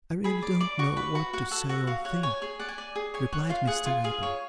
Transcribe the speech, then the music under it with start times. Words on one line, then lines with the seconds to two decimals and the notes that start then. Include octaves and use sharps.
I really don't know what to say or think,' replied Mr Abel.
0.24 G#4 B5
0.42 D5
0.60 D5 D6
0.79 F#4 C#6
0.97 B4 B5
1.15 F#4 F#5
1.33 F#4 F#5
1.51 A4 F#5
1.69 F#4 F#5
1.87 F#4 F5
2.05 C#5 F#5
2.23 C#5 G#5
2.42 G#4 G#5
2.59 D5 F#5
2.69 G#5
2.78 D5
2.96 G#4
3.14 C#5 G#5
3.32 C#5 F#5
3.49 F4 F5
3.67 G#4 F#5
3.86 F4 G#5
4.04 G#4 F5
4.23 C#5